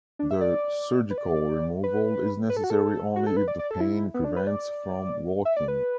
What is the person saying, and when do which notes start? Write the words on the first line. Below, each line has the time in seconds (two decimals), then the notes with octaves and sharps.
The surgical removal is necessary only if the pain prevents from walking.
0.19 D4
0.31 E5
0.41 D5
1.10 B4
1.18 D5
1.83 B4
2.50 B4
2.57 A4
2.64 F#4
2.70 A4
3.16 F#4
3.27 A4
3.37 B4
3.48 D5
3.59 D5
3.71 A4
3.80 E4
4.14 B3
4.24 D4
4.36 B4
4.47 D5
5.45 E5
5.56 D5
5.68 B4